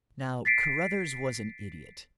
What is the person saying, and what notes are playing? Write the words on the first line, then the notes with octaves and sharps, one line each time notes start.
Now, Carruthers was an idiot.
A6 B6 C7 D7